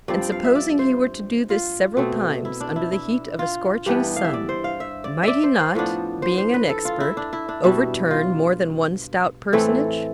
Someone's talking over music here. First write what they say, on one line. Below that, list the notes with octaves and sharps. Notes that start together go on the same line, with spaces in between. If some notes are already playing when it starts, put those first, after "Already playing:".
And supposing he were to do this several times under the heat of a scorching sun, might he not, being an expert, overturn more than one stout personage?
G2 F3 C4 D5
G5
F5
E5
D5
C5
F4
B2 A3 C4
E4
D4
E4
E4
F4
G2 E3 B3 D4 G4
F5
E5
D5
C5
F5
E5
D5
D5 E5
C5
C5
A2 F3 B3 D4
C5
C5
B4
A4
F4
E4
D4
E4
D4
B2 G3 D4 E4
F4
A2 E3 A3 C4 A4